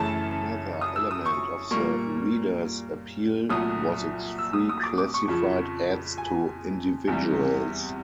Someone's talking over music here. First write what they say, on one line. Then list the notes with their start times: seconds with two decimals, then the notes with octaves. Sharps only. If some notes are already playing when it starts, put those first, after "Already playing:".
Another element of the "Reader"'s appeal was its free classified ads to individuals.
Already playing: F#2 C#3 E3 A3 A5
0.81 D#6
0.96 E6
1.11 D#6
1.26 C#6
1.71 A#2 G3 A#3 C#6
3.50 C2 A#2 F#3 A3 D#6
4.38 E6
4.53 D#6
4.69 D#6
4.83 D6
4.98 D6
5.14 C#6
5.28 F2 C#3 F3
6.18 G#5
7.08 E2 C3 E3 G3